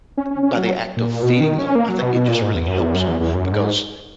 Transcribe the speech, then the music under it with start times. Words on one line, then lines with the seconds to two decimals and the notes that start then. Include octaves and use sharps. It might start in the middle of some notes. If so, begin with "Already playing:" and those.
by the act of feeding them, I think it just really helps 'em because
0.17 C#4
0.31 C#4
0.43 C#4
0.57 F#3
0.96 A#2
1.23 B2
1.41 D#3
1.58 C#4
1.75 A#3
1.89 F#3
2.02 B2
2.15 B2
2.28 A#2
2.42 G#2
2.55 E2
2.68 F#2
2.81 E2
2.95 F#2
3.08 E2
3.20 E2
3.34 F#2
3.52 G#2